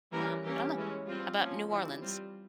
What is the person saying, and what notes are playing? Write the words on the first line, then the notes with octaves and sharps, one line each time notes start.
Um, I don't know. How 'bout New Orleans
E3 G3 A#3 C#4 A#4
E3 A#3 C#4 G4
E3 G#3 C#4
G3 C4 F4
F3 A#3 C#4
E3 G3 C4 E4
G3 C4 F4